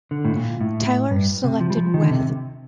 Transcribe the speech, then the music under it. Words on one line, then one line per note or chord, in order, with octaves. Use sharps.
Tyler selected Wyeth.
D3
A2
A#2
A2
G2
C3
F3
G3
F3
D#3
D3
C3